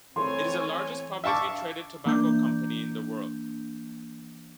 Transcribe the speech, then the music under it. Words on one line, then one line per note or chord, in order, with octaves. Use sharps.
It is the largest publicly traded tobacco company in the world.
E3 A3 C4 C#5 G#5 C6
E5 F5 A5 C#6 D6
E3 A#3 D4 G6